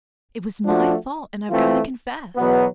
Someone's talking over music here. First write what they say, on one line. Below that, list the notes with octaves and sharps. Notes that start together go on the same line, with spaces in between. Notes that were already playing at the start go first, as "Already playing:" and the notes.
It was my fault and I've got to confess.
F3 A3 D4 F#4
E3 A3 C4 F4
E2 B2 F#3 B3